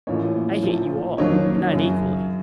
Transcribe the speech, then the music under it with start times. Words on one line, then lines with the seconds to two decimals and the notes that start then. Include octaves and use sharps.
I hate you all, but not equally.
0.07 A1 A2 F3 A#3 C#4 C#5
0.63 A#1 A#2 F3
1.18 F2 D#3 F#3 A#3 C#4 C#5
1.73 F#2 C#3 F#3